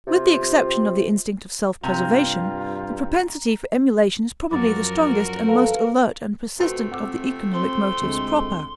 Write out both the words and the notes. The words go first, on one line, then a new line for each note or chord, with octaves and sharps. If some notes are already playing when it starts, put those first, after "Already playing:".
With the exception of the instinct of self-preservation, the propensity for emulation is probably the strongest and most alert and persistent of the economic motives proper.
C3 F4
G2 C3 F4 A#5
F#2 F3 F#3 F#4 A#4 D6 A6
A4 B4 F5 A#5
C3 F3 A3 F#4 B4 C6
C4 F#5 D6 E6
C4 C6
D2 G#3 C4